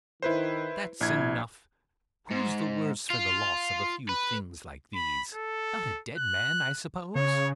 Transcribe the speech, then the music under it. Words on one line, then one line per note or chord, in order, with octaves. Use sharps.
"That's enough. Who's the worse for the loss of a few things like these? Not a dead man, I suppose."
D#3 E4 B4 C5
A#1 E4 G#6
G#2
F4
B4
B5
A4
F#6
C#3 C#5